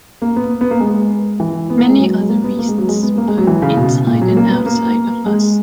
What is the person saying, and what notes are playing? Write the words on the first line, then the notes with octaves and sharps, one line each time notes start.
Many other reasons both inside and outside of us.
A#3
B3
B3
A#3
G#3
E3
B3
A#3
G#3
F#3
G#3
A#3
B3
A#3
G#3
F#3
G#3
B3
A#3
G#3
F#3
E3
C#3
B2
A#2
F#3
A#3
B3
A#3
G#3